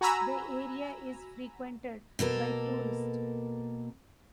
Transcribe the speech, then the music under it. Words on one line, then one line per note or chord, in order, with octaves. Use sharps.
The area is frequented by tourists.
F#4 G#5 A#5 B5 E6
B2 A#3 A4 A#4